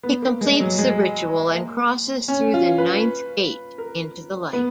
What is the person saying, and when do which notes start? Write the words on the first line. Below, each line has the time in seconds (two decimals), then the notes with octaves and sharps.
He completes the ritual and crosses through the Ninth Gate into the light.
0.03 B3
0.22 A#3
0.41 G#3
0.60 F#3
0.78 G#3
1.54 A#3
2.28 C#4
2.54 F4
2.78 B4
3.78 A#4
4.53 B3